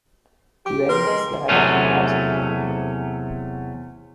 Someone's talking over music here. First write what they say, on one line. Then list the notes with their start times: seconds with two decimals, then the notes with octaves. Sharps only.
He reigned as the head of the House of Mecklenburg.
0.66 G4 D6
0.89 A#4 B4 C6
1.06 G#3
1.49 E2 C3 F#3 A3 C#4